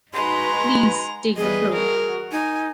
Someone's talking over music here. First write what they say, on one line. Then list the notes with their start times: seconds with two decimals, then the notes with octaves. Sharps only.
Please, take the floor.
0.14 G#3 D#4 F#4 B4 A#5 C6
1.37 E3 G3 B3 G#4 B4 D#5
1.72 F#4 A#4
2.32 D#4 G#5